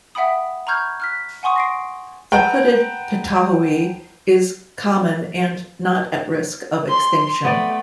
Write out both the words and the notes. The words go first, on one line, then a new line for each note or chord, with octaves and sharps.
The hooded pitohui is common and not at risk of extinction.
E5 F#5 G5 B5 D#6
A#5 B5 C#6 F6 G6 G#6
F6 F#6 B6
F#5 G#5 C6 C#6 D#6
A#6 C7 D7
B4 F#5 G5 A5 A#5
C6
A3 B3 D5